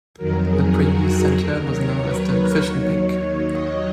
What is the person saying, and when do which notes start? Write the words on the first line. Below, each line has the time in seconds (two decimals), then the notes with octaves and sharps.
The previous center was known as the "Fish N Pic".
0.17 F2 D#3 F#3 A#4
0.47 G#4
0.78 F#4
1.38 D#2 D#3 F#3 A#4
1.69 C#5
1.99 B4
2.30 C#5
2.60 D#2 D#3 F#3
3.51 D#5